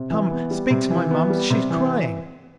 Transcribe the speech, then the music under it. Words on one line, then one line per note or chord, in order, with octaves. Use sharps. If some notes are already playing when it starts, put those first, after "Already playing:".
"Come ... speak to my Moms; she is crying."
Already playing: C3
E3
B3
G3
C3
E3
B3
G3
C3
E3